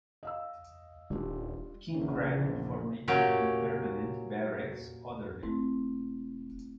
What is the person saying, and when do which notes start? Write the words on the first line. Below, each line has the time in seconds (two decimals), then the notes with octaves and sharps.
King credit for making him permanent barracks orderly.
0.23 D#5 F5 E6
1.10 D#1 G3 D4 F4
1.95 A#1 E2 C#3
3.08 A#2 F#3 C#4 G4
5.43 E1 A3 C4 E4